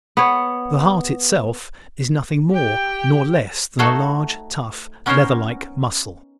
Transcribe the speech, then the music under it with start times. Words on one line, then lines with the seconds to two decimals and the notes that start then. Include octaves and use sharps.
The heart itself is nothing more nor less than a large, tough, leather-like muscle.
0.17 B3 C#5
2.50 G4 G5
3.79 A3 D#4 F#4 A4 C5 C#5
5.06 B3 C#4 D#4 A#4 C5 C#5